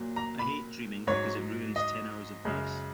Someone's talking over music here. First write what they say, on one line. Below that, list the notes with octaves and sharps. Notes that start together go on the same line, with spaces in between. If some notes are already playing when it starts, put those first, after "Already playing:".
I hate dreaming because it ruins ten hours of bliss.
Already playing: A#2 F#3
A#5
B5
G#2 F#3 C#5
D#5
F#2 C#3 G#3